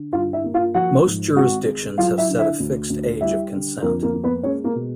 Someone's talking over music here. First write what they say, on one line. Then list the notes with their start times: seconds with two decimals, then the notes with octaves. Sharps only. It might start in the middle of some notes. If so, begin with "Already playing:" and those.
Most jurisdictions have set a fixed age of consent.
Already playing: D3
0.13 G2 F4 F5
0.33 E4 E5
0.44 A#3
0.54 F4 F5
0.74 F3 F#4 F#5
1.05 G#2
1.36 G#1 F#4 F#5
1.66 G#3
1.98 F#3 F4 F5
2.18 E4 E5
2.29 D3
2.39 E4 E5
2.60 D2
2.90 D2
3.21 G3 E4 E5
3.51 D3
3.82 F2 A#3 A#4
4.03 A#3 A#4
4.13 A#3
4.24 B3 B4
4.43 G#3 C#4 C#5
4.64 A#3 A#4
4.75 B2